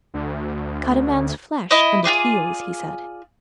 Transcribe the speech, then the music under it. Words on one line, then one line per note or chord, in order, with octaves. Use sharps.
"Cut a man's flesh and it heals," he said.
D2
E4 D#5
F4 F#4 G#4 D5